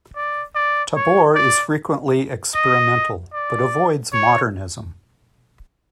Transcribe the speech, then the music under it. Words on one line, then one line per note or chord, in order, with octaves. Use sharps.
Tabor is frequently experimental but avoids modernism.
D5
D5
C#5
D5
D#5
D5
C#5